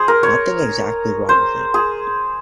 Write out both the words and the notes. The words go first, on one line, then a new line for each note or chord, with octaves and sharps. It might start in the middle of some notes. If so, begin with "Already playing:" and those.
Nothing exactly wrong with it.
Already playing: G#4 C5
A#4
C#5
C5
G#4